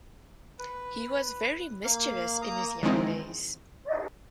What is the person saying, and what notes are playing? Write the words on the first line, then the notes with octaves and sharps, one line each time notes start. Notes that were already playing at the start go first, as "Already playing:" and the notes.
He was very mischievous in his young days.
B4
A#3 F5
A#3 A#5 D#6
D#3 F3 G#3 C4 D#4 E4